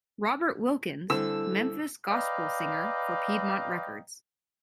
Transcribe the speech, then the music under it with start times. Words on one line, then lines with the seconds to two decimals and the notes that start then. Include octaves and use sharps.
Robert Wilkins: Memphis Gospel Singer, for Piedmont Records.
1.10 D3 G3 C4 E4 A4 E6
2.09 B4 D5 D#5 F5 G5 A#5